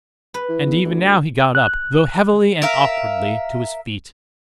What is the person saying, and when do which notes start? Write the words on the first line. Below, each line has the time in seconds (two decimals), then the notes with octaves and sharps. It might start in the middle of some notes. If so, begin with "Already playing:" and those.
And even now he got up, though heavily and awkwardly, to his feet.
0.34 B4
0.49 E3
0.66 E2
0.85 D2
1.55 F#6
2.62 A#4 E5 F5